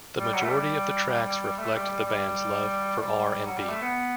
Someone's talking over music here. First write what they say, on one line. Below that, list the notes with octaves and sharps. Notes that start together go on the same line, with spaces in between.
The majority of the tracks reflect the band's love for R and B.
G3
F#3
A3
G3
A3
G3
G3
G3
G3
F#3
G3
A3
B3